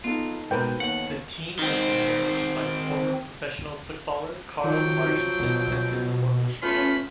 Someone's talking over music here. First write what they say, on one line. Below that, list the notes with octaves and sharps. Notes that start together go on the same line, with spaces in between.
The team has been managed by former professional footballer Karl Marginson since its formation.
B3 D#4 F4 A4
G#2 B2 A#4 B4 G5
D#2 F#5
D#3 C4
D#3 F3 F#3 G5
B2
A3 B3 C#4 F4 B5